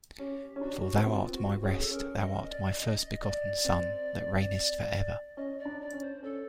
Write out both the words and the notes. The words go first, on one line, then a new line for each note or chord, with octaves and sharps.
For thou art my rest; thou art my first-begotten Son that reignest for ever.
C#4 G4
C#4
D4 F#4
G4
F#4
B3
E4
C4 F4
F#4
C#4 G#4
A4
C#4 A#4
D#5
D5
D5
D#5
D5
C4
C#4 D#5
D5
D4
D5
C#4
C5
C#4 A4